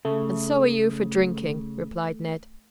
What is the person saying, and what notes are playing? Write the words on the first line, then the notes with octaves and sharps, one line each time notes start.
"And so are you for drinking," replied Ned.
C#3 A3